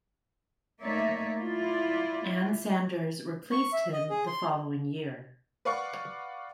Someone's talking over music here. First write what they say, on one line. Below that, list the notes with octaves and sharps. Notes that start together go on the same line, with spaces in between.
Ann Sanders replaced him the following year.
A3 A#3 D#4 C#5 D5 E5
E4 F4 D5
C#6
E5
D#5
G#4
C6
B4 D5 F5 F#5 C#6